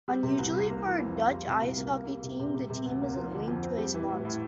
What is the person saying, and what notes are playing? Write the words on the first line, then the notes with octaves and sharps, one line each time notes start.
Unusually for a Dutch Ice Hockey team the team isn't linked to a sponsor.
G3
C3
C2
C2
A#3
E3
F2
F4
G3
C3
C2
A#3
A#3
G3
C3
C3
G3
C3
D2
A#3
F3
D3
F2
C4
G3
E3
A2
A2